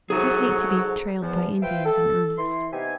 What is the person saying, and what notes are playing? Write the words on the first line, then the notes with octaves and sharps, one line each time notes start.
I'd hate to be trailed by Indians in earnest.
G#2 C3 F#3 A3 F#4 G#4
E2 F3
F4 B4 C5 E5 F5 G5
A4
E3 E4 C6
C3 B3 D#4 G4 E5 G#5